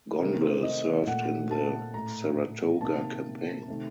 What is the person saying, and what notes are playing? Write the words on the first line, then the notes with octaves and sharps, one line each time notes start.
Gonville served in the Saratoga campaign.
C3 D#3 A3 A#4
C5
D#5
A#2 A3 F#5
A5
A2 A3 A#5
C3 D#3 A#3 A5
C3 D#3 A3